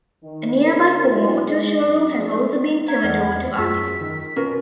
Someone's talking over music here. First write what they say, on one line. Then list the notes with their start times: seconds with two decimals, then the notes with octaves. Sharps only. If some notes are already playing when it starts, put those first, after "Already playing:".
A nearby former auto showroom has also been turned over to artists.
0.23 D#3
0.66 C#3 C#4 A#4
1.08 F#2 B2 D4 E4
1.45 G#3
1.83 F#2
2.14 F3 G#3 D4
2.88 E5 A#5 G#6
3.03 E2 D5 F#5 F6
3.58 F#2 F4 G#4 E6 B6
4.01 D#3
4.36 B2 C#4 F4 A#4 B4